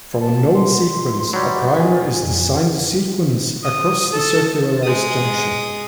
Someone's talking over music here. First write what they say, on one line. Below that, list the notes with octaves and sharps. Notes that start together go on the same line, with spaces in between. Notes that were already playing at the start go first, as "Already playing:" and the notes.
From a known sequence, a primer is designed to sequence across the circularised junction.
A5
C6
F#3 G3
G#5
F2
D#6
A4
G#3 D#6